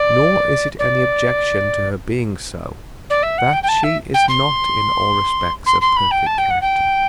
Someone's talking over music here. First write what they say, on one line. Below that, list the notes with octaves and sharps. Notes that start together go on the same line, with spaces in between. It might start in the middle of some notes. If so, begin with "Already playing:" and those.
Nor is it any objection to her being so, that she is not in all respects a perfect character.
Already playing: D5
D5
D5
E5
F#5
G5
G5
A5
E5
G5
C6
C6
C6
B5
G5
A5
G5
F#5
G5